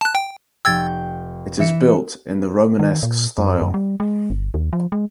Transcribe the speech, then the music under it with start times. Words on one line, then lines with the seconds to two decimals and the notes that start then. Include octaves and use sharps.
It is built in the Romanesque style.
0.01 A5 F#6
0.15 G5
0.65 F1 G5 E6 G#6 A6
1.59 E3 E5 C#7
2.79 D#3
3.03 A#2
3.38 F#2
3.61 F#2
3.74 G3
4.00 G#3
4.30 G1
4.54 D#2
4.73 F3
4.92 G#3